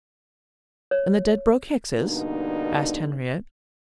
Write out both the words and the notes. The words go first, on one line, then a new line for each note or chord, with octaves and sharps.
"And the Dedbroke-Hickses?" asked Henriette.
C#5
G2 B2 D3 A#3 D#4